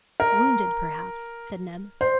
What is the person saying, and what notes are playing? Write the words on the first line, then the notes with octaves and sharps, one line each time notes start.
"Wounded, perhaps!" said Neb.
A#4
C5